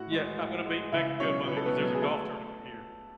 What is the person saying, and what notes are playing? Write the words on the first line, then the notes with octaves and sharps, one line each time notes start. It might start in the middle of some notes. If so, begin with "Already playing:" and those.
Yeah, I'm gonna be making good money 'cause there's a golf tournament here.
Already playing: A2 F#4 F#5
G#3
A2
G#3
C#2 E4 E5
B2 F#3 C#4 C#5
C#2 B4
A4
B3 B4
B2 F#3
G#4
A3 A4